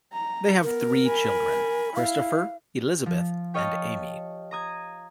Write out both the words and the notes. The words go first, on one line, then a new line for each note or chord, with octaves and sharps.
They have three children: Christopher, Elizabeth and Amy.
A#5
B3 A#4
G#5 B5
E4 F5
F3
G4 C#5 D#5 F5 A5
A#5 D#6 G#6